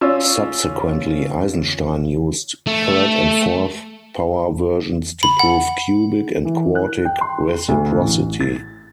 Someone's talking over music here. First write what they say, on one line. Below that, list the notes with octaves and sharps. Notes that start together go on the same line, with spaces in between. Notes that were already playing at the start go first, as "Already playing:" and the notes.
Subsequently, Eisenstein used third- and fourth-power versions to prove cubic and quartic reciprocity.
C#4 F4 D5 E6
A3
B5
F#5
E3
F#6
G5
C6
D2
A1
A6